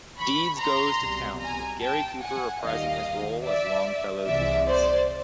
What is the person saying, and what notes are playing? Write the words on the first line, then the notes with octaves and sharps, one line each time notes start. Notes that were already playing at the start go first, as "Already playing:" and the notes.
Deeds Goes to Town, with Gary Cooper reprising his role as Longfellow Deeds.
B5 C#6
A#5 C6
C2 B2 G3 B3
G#5 A#5
G5 A5
F#5 G#5
D#2 D#3 G3 D#5 F5
D5 E5
C2 C3 E3 G#3 D5 E5
C5 D5